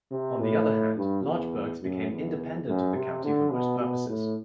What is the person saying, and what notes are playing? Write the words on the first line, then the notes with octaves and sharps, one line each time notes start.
On the other hand, large burghs became independent of the county for most purposes.
C3
A2
G2
E2
F#2
E2
F#2
C3
D3
B2
B2
A2